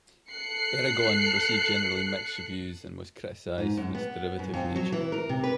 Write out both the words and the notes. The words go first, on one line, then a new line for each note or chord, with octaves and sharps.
"Eragon" received generally mixed reviews and was criticized for its derivative nature.
A4 F#6 C7 C#7
G#2
F#2
B3
F#2
F2
F#3
E3
A#4
C3
B4